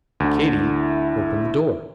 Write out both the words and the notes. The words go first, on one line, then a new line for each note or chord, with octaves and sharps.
Katy opened the door.
D2 D3
E4